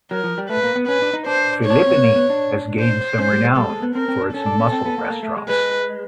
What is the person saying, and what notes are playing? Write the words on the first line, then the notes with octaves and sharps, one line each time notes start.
Philippine has gained some renown for its mussel restaurants.
F#3 A#4
F3
G3
A3 B4
A#3
B3
C#4 B4
D4
D#4
D4 C5
C#5
D4
C#4
C4
B3
A#3
B3
D4
C5
C#4 C5
G3
G#3
G3 A4
G#3
B3
C4 A#4
C4
D4
C#4 A4
D4
C#4
C4
B3
A#3
A#3
A3
G#3
G#3 B4